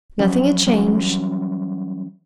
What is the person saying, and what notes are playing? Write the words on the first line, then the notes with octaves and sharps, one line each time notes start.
Nothing had changed.
F3 F#3 C#4
E3 F#3 G3 C#4